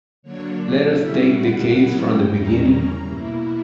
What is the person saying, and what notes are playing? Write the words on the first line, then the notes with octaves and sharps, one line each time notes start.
Let us take the case from the beginning.
D3 F#3 A#3 D4 C#5
D5
D3 G3 C#4 E4 E5
F#5
C#3 F#3 A#3 C#4 E4 F#5
G5
E2 C#3 G3 A#3 C#4 A#5
B2 A#3 E4